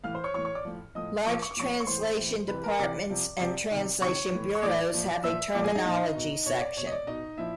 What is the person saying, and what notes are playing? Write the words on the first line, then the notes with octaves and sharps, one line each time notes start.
Large translation departments and translation bureaus have a "Terminology" section.
A2 E3 F5 F6
C5 C6
C#5 C#6
A2 E3 C#5 C#6
C#5 C#6
D5 D6
A2 F3
A2 F3 D#5 D#6
A#2 F3 C#6
D6
C#6
D6
A#2 F3 C#5 C#6
C#6
A2 E3 C5 C6
A2 E3
C3 E3 B4 B5
A#4 A#5
C3 E3 D5 D6
C3 F3
C3 F3 D5 D6
C3 D#3
C3 D#3 C#5 C#6
A2 E3
C#6
A2 E3 D5 D6
A#2 F3
A#2 F3 E5 E6
A#2 F3 D5 D6
G#4 G#5
D#4 D#5
A#2 F3
B2
B2 C#5
D5
B2 C#5
D#5
D5
B2 D#4 D#5
A#2 F3 E4 E5